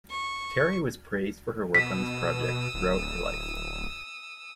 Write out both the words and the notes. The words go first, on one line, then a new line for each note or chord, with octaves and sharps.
Terry was praised for her work on this project throughout her life.
C#6
B2 D#6 E6 B6
D1